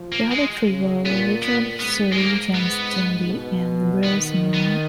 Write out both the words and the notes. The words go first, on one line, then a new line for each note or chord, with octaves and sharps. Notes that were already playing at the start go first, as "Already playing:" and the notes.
The other three were: Richard Serra, James Tenney and Bruce Nauman.
Already playing: F3
A#3
G#3
C#3
A#2 B3
A#2 B3
G#2 B3
G#3
A#3
B3
B2
D#3 B3
B3